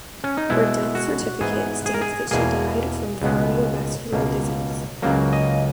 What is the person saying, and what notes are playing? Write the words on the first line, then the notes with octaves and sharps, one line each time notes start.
Her death certificate states that she died from cardiovascular disease.
C#4
D#4
B2 G#3 B3 E4
F#4
G#2 E3 B3 G#4
G#4
A#4
G#4
E2 B2 A#3 G#4
C#2 B2 G#3 B3
C#2 B2 A#3
C#2 C#3 F#3 A#3
D#5